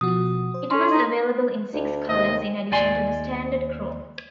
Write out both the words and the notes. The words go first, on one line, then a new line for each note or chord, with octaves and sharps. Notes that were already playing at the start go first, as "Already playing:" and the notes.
It was available in six colors in addition to the standard chrome.
B2 F3 F#4 D#6
C5
C#4 A4 C6
D#4 D#5
D2 D4
D#2 C3 D#5
D#2 D5 G#5 C6